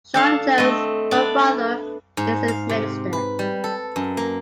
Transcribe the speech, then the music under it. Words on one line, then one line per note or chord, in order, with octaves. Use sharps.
Shawn Jones, her father, is a minister.
D4 A4 F5
A3 C4 D#5
B3 D4 D5
G#2
F5
C3
B4
G3
A4
F#2
A#3